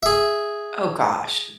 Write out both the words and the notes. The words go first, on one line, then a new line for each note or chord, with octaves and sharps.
Oh, gosh.
G#4 E5